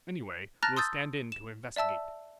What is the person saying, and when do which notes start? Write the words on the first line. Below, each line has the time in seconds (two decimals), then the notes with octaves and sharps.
Anyway, we'll stand in to investigate.
0.63 A5 A#5 F6 F#6 A6 A#6
0.77 C6 D#6 E6 G6 A6
1.32 E7
1.76 D5 E5 A5 E6